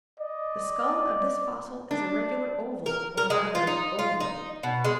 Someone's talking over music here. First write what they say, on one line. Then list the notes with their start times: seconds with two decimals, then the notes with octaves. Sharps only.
The skull of this fossil is a regular oval, or rather ovoid.
0.20 D5 D#5
1.91 D4
2.86 A#4
3.17 A#4
3.30 G#3
3.55 F4
3.67 D#4
3.99 F4
4.20 D#4
4.63 B2
4.85 G#3